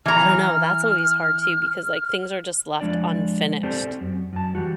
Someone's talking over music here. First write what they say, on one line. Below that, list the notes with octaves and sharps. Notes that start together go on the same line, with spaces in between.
I don't know. That's always hard too because like things are just left unfinished
E3 A#5 F6
F3 G#3 D4 D5
C4 G4 A4 C5 D5
F#2
F#2 A5
E3 G3 F#4